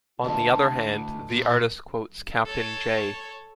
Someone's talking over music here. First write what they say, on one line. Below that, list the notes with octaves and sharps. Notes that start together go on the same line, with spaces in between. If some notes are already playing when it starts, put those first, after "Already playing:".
On the other hand, the artist quotes Captain J.
D2 E3 D#5 A5
A#2
A4 C#5